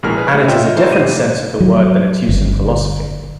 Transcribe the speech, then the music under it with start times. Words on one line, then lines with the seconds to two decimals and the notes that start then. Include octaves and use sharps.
And it is a different sense of the word than its use in philosophy.
0.03 A#1 B2 G#3 E4 A#4 F6
0.17 G#4 B4
0.34 A3 G4 E5
0.48 F4 A4 C#5 D#5 E5 G5
0.75 E3 A3 D#4 C5 E5
0.91 G#2 G4 D#7
1.60 F#3
2.29 G1